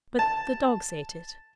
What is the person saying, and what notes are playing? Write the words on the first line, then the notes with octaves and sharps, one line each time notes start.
But the dogs ate it.'
A5